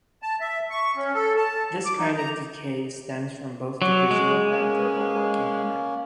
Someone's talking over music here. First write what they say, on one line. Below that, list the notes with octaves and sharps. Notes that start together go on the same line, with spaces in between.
This kind of decay stems from both the visual and verbal working memory.
A5
E5
C#6
C#4
A4
A5
G#2
D6
D#4
A#5
F#3 F#4 D6
G#3
A#3 C#4